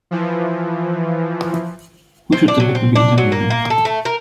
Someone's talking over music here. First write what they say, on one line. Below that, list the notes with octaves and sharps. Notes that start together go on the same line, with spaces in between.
Who should the paper be interviewing?
E3 F3
C4
D4
F#3
C4
D4
F#3
A#3
A#3
A4
A3
A#4